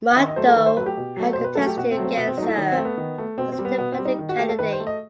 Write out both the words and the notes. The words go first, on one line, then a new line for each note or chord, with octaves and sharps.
Mahto had contested against her as Independent candidate.
F#5
D#3 E5
D#5
F#3 A3 C5
A4
D#3 B4
C5
F#3 A3 G4 B4
B2
F#3 A3
B2 C5
B4
F#3 A3 A4
G4
B2 F#4
C4
F#3 A3
C4
B2 B3
C4
F#3 D#4
A3
E4
D#3 D#4
C4
A3
B3
D#3
A3
B2 C4
C4
G3
B3
B2 B3
C4
G3
D#4
D#3
F#4
A3 G4
A4
D#3 B4
C5
A3
D#5